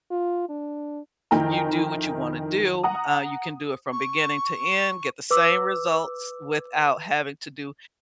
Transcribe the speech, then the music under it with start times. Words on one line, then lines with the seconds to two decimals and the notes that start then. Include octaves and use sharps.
you do what you wanna do. Uh, you can do it from beginning to end, get the same results without having to do
0.11 F4
0.49 D4
1.31 F2 D#3 E4 G5 G#5 A#5
2.84 F#5 A#5 D#6
3.92 C#6
5.31 B4 D6 E6